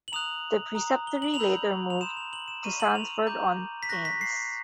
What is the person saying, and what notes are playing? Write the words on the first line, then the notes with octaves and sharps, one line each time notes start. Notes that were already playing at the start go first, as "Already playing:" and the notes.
The preceptory later moved to Sandford-on-Thames.
F#7
A#5 D#6 F#6 F7
A#5 D#6 F#6
G7
F#7
F7
B5 E6 G6 F#7
F7
C6 D#6 G6 E7
F7
F#7
E7
A#5 C#6 F6 D#7
F#7
F7
A#5 D6 G6
B6
C#6 F#6 A#6
B6
C7